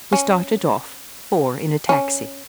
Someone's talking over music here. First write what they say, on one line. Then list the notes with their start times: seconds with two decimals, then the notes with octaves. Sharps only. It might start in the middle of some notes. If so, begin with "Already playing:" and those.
We started off--four in a taxi.
0.13 C#4
1.89 C#4